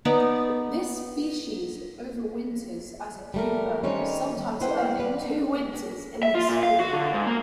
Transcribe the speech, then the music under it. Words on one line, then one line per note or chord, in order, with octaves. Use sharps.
This species overwinters as a pupa, sometimes spending two winters in this form.
B3 D#4 D5
G3 A3 A#4
D#3 G3 C4 C#4 D#4 C#5
B3 E4 B4 C5 F#5 G5
B4 D5
E5
F4
A#2
F5
F#4
D3
G#2
A#3